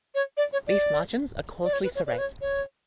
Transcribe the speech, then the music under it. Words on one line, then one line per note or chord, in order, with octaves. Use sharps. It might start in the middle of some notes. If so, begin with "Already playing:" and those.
Leaf margins are coarsely serrate.
C#5
D5
C#5
D5
D5
C#5
B4
C#5
D5
B4
C#5
C#5